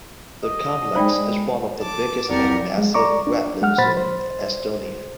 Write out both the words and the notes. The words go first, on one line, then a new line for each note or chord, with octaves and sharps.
The complex is one of the biggest and massive wetlands in Estonia.
D#5
G#3 D#4 C5 D5 G5 B5
A5 D6
C2 F2 G4 A#4 D5 F#5
G#3
D5 A#5 C#6 D6
D4
G#3 F#5 F6
A#2 C5 B5 A6
C5